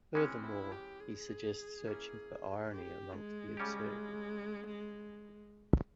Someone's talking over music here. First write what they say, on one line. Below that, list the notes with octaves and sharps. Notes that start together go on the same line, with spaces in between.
Furthermore, he suggests searching for irony amongst the absurdity.
E3 G#3 C4 C#4
E4
G4
G#4
E3 A#3 C#4 E4
G4
G#3
C#3 G3 C#4 G4